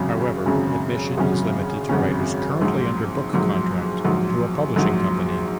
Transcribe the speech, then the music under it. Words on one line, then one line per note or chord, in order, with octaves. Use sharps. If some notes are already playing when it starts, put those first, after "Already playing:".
However, admission is limited to writers currently under book contract to a publishing company.
Already playing: G#1 F#2 C#3 F#3 C#4
G#1 F#2 C#3 F#3 C#4
G#1 F#2 C#3 F#3 C#4
G#1 F#2 C#3 F#3 C#4
A#1 G#2 F#3
A#1 G#2 F#3
A#1 G#2 F#3
A#1 G#2 F#3